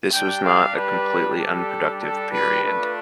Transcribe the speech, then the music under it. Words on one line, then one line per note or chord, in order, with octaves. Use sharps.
This was not a completely unproductive period.
G3 D4 G4 G5
F5
B4
A4
A4
B4
A3 D4 F4 B4